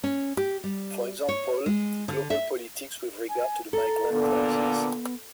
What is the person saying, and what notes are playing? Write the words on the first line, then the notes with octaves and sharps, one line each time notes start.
For example- glocal politics with regard to the migrant crisis.
C#4
G4
G3
C#5
G#3
D3
E5
G#5
A4 A#5
A#2 D3 B3